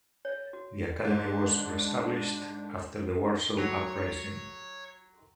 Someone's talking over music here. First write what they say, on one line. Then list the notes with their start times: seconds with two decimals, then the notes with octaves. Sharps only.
The Academy was reestablished after the Warsaw Uprising.
0.25 C#5
0.53 F#4
1.05 G#2 D4
3.59 F#3 C#5